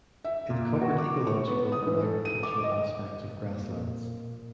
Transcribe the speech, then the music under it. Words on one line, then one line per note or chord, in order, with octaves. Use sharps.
It covered ecological and agricultural aspects of grasslands.
E5
A#2
F#4
D6
C#6
B3
D#6
E3
A4
D#7
D6
D#5
A#2